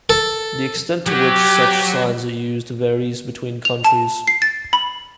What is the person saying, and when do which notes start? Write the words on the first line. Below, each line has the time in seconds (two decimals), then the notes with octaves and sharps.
The extent to which such signs are used varies between countries.
0.10 A4
1.07 F#3 G4
3.65 F7
3.84 A5
4.28 C7
4.42 A6
4.73 B5